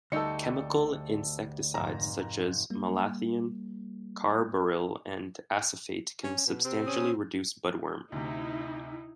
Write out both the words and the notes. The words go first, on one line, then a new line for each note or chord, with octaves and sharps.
Chemical insecticides such as malathion, carbaryl, and acephate can substantially reduce budworm.
D2 G3 D#4 A4 E6 C#7
F1 G#2 A#5 E7
G3 A#3
C#4
B2
C3 C4
C#4 D#6
D2 C3 D#4 E4